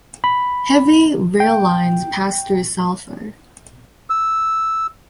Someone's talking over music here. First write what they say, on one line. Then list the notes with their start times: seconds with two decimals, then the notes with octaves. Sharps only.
Heavy rail-lines pass through Salford.
0.24 B5
1.40 G5
4.10 E6